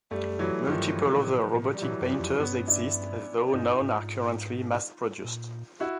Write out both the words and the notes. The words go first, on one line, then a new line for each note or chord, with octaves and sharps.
Multiple other robotic painters exist though none are currently mass-produced.
F#2 G3 A3
E3 F#3
G2 D#3 F3
A#2
A2
A2
G3
A#2 E3 F#3
F#2
F3 G3
F2
G2 B3 C#4
D4 E4
G2 D#4 F4
G#2
A#2
E4 F#4